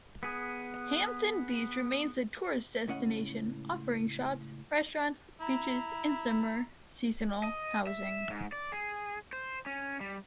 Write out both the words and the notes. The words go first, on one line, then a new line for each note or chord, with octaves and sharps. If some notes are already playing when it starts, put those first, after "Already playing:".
Hampton Beach remains a tourist destination, offering shops, restaurants, beaches, and summer seasonal housing.
B3 G#4
C#2 A2 C#4 D#5 F#5
E4 A#5
D#5
E5
G#2
D5
G#4
C5
C#4
G3